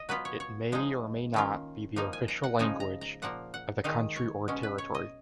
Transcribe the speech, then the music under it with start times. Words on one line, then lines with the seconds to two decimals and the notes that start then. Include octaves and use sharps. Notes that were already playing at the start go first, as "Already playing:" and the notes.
It may or may not be the official language of the country or territory.
Already playing: D#5
0.09 F#3 B3 F4 B4
0.25 C#5
0.40 C#5
0.72 F3 G#3 D#4
1.34 D#3 A#3 C#4 F4
1.96 F3 A#3 D#4 F5
2.13 G#5
2.28 A#5
2.43 F#5
2.59 C#3 F3 G#3 D#4 G#5
2.80 A#5
3.01 A#5
3.22 A#2 F3 A#3 F#5
3.54 F#5
3.84 D#3 G#3 D#4 F5
4.16 C#5
4.48 B2 G#3 C#4
4.63 B4
4.78 C#5
4.95 D#5